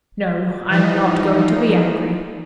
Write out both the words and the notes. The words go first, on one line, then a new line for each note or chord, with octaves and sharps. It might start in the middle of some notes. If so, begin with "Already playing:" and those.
No, I am not going to be angry.
E3 F3 D#4